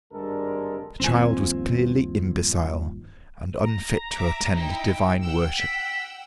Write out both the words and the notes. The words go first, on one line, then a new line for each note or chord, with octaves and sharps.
The child was clearly imbecile, and unfit to attend divine worship.
G#1 G2 D3 G#3 A4 A#4
G1 D#2 F3 C4 G#5
A#5
E5 D6
D#4 E4 G5
F#5 G5 E6
B6